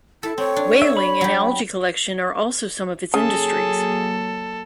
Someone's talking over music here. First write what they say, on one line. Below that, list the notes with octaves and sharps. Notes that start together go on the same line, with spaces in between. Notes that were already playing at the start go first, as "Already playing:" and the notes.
Whaling and algae collection are also some of its industries.
E4 A4
C4 C#5
D4
E5
B5
F#3 G4
C#3 F#3 A#3 G#4 A4